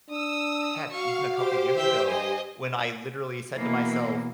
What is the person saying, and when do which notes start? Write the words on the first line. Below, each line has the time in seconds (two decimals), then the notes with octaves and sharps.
Mm, heck, even a couple years ago, when I literally said to myself,
0.10 D4 D#6 E6
0.91 F#4 F5 C#6
1.36 G4 C5 D6
1.75 E3 E5 G5
2.07 G2 D#5 G#5
3.56 B2 E3 A#3